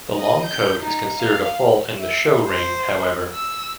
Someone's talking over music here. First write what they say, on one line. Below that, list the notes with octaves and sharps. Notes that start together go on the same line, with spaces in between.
The long coat is considered a fault in the show ring, however.
D#5
G6
D#4
F5
E5
C5
E6